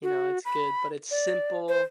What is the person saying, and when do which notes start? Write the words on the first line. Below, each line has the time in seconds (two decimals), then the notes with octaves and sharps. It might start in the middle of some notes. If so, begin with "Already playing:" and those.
You know, it's good. But it's simple,
0.03 F#4
0.45 B5
1.11 D5
1.69 C5